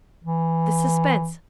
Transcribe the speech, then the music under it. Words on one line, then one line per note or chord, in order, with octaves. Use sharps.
This suspense!
E3